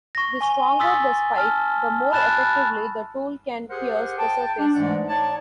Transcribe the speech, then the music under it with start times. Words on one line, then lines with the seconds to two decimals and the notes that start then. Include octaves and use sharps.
The stronger the spike, the more effectively the tool can pierce the surface.
0.15 C#6 A#6
0.41 G#5 C#6 G7
0.79 C6 D#6 E6 A6 B6
1.36 A5 F6
2.12 A5 B5 F#6 A6 E7
3.70 G4 G#4 A#4 C5 F#5
4.18 G5 A5
4.58 D4
4.75 G#2 E3 G#3 A3 D5 F#5
5.09 D#4 C#5 D5 A5